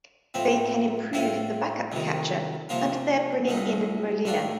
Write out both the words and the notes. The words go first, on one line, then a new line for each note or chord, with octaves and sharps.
They can improve the backup catcher and they're bringing in Molina.
A2 F3 C4
A2 A3 C4 F4
F2 C3 D#3
C3 F3 A#3 F4
C2 A#2 A3 D#4
A2 A3 D4 F4